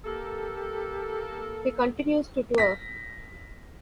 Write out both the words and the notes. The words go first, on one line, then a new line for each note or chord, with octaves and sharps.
He continues to tour.
A#3 G4 A4
A#6 B6